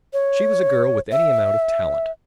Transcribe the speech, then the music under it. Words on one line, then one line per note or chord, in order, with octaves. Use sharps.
She was a girl with any amount of talent.
C#5
E5